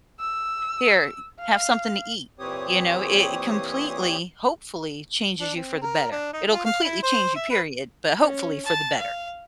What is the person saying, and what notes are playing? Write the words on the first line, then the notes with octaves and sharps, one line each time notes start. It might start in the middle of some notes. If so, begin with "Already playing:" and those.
Here, have something to eat," you know, it completely, hopefully changes you for the better. It'll completely change you, period, but hopefully for the better.
E6
F5
A#2 E3 C4 G4 C#5 D#6
D4
C4
A#4
D4
D#4
F4
F5
E4
C5
E5
B4
C#4
A5
F5